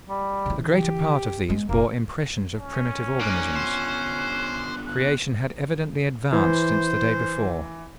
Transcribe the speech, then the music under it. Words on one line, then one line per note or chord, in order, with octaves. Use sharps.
The greater part of these bore impressions of primitive organisms. Creation had evidently advanced since the day before.
G3
C#3 E3
G4
G#3 B3
F1 A#3
C#4
A#3 D#4 D5 G#5 F#6
D3 B3 F4 C5
F#6
E3 C5